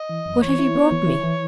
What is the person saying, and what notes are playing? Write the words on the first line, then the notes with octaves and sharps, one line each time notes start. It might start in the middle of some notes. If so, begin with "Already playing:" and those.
What have you brought me?'
Already playing: D#5
E3
F#2
E3 C#5
E4
B3
E3
E4
E3